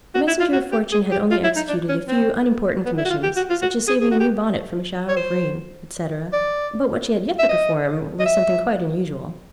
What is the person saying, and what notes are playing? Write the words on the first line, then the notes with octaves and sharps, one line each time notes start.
The messenger of Fortune had only executed a few unimportant commissions, such as saving a new bonnet from a shower of rain, etc.; but what she had yet to perform was something quite unusual.
F#4
E4
F4
F#4
G4
G#4
G4
F4
E4
D#4
D4
C#4
C4
B3
E4
F#4
F4
G4
F#4
F4
F#4
G#4
G#4
F#4
G4
C#5
C5
D5
E5
D#5
D#5
E5